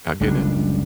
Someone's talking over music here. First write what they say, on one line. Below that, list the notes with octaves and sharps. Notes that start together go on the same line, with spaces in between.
I get it.
F#1 C#2 G3 D4